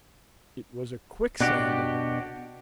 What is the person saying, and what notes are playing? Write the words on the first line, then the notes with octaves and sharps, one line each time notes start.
It was a quicksand of a bed.
B2 D4 F#4 G4